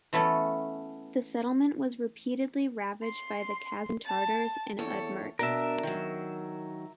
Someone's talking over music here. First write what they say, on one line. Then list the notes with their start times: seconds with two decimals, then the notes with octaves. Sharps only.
The settlement was repeatedly ravaged by Kazan Tatars and Udmurts.
0.13 E3 A3 B3 C#4 A4
3.02 C6
4.04 A5
4.79 E2 A4 C#5
5.39 B2 D4 A#4 E5
5.83 D#3 F#3